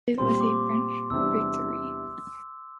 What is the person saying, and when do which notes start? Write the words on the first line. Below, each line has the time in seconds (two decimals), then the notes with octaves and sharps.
It was a French victory.
0.18 A#2 G3 C4 C6
0.41 D6
1.10 E2 C3 G3 D4 E6